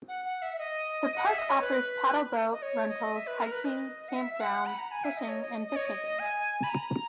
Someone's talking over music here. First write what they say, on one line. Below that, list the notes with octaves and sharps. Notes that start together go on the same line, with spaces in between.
The park offers paddleboat rentals, hiking, camp-grounds, fishing and picnicking.
F#5
F#5
E5
E5
D#5
F#5
E5
D#5
C#5
B4
D#5
C#5
D#5
E5
B4
A#4
B4
D#5
F#5
E5
E5
F#5
B5
A#5
G#5
E5
D#5
C#5
D#5
D#5
C#5
D#5
G#5
B5
A#5